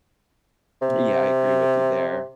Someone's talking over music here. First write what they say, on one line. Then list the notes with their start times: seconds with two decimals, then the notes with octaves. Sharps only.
Yeah, I agree with you there.
0.82 C3